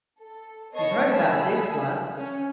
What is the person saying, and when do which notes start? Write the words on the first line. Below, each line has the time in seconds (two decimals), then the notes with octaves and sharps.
You've heard about Dick's luck?'
0.19 A4
0.72 B3 C#5 D#5 A5 C#6 C7
1.08 G#4 A#4 G#5 A5 B5 E6
2.17 C#4